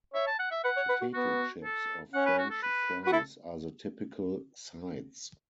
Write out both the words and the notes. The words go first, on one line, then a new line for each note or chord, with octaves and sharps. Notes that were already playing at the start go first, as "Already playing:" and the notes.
Potato chips or French fries are the typical sides.
C#5 E5
A5
F#5
E5
B4 F#5
C#5
B4
F#4
B3 F#4
A4
C#4 F#5
B4
F#4
A4
B4
F#4 B4
E4 A4